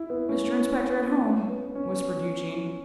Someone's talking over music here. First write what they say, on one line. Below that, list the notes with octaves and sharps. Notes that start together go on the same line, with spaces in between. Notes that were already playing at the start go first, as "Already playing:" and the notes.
'Mr Inspector at home?' whispered Eugene.
Already playing: E4
B3
C#4
C#4
B3
C#4